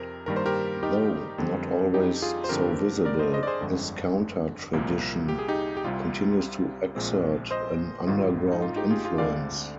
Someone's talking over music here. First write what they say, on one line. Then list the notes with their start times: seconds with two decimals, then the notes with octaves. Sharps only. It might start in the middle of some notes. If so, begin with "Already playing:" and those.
Though not always so visible, this counter-tradition continues to exert an underground influence.
Already playing: F2 C3 A#4
0.26 G2 D#3 G3 A#3 A#4
0.36 C5
0.46 G4 A#4
0.83 D#4 G4
1.38 F2 D3 G3 C4
1.94 D#4 G4
2.22 F4 G#4
2.44 C5
2.49 G2 D3 F3 C4 G4 A#4
3.05 A#4 D5
3.19 C5 D#5
3.33 C5 D#5
3.43 D5
3.47 G#4 C5
3.61 G1 F2 D3 G#3
4.73 C2 A#2 F3 A#3
5.29 G4
5.38 G#4
5.48 D#4 G4
5.77 G4
5.84 C2 C3 G3 F4
6.95 A#1 A#2 G#3 C4
7.51 C5 D#5
8.07 G#1 G#2 D#3 F4
8.52 D#4
8.62 F4
8.76 D#4 G4
8.90 F4 G#4
9.05 F4 G#4
9.18 D2 D3 G#3 C4 D5 F5